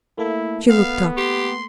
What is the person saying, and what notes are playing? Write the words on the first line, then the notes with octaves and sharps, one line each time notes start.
She looked up.
A3 A#3 E4 A4
B3 F5
G4 C6